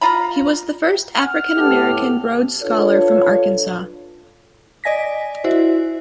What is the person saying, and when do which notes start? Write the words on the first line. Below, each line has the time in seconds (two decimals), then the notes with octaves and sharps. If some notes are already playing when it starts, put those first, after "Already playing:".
He was the first African American Rhodes scholar from Arkansas.
0.01 F4 A#5 B5
1.22 F#5 F6
1.57 A2 B3 G4 A4
2.62 D4 F4 A4 B4 C#5
4.84 D5 D#5 G#5 A#6 B6
5.44 E4 F#4 C5